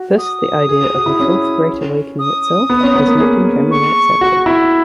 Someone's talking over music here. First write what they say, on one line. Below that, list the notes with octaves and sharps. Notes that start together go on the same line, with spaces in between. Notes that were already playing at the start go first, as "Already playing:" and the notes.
Thus, the idea of a Fourth Great Awakening itself has not been generally accepted.
Already playing: F#4
D#6
G#4
G#4
F#4
E4
C#4
D#6
B3
C#4
B3
A#3
G#4
C#6
F#4
E4